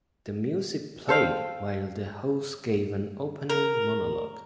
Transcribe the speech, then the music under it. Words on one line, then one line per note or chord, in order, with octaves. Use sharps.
The music played while the host gave an opening monologue.
A4 C5 F5 G5
A#4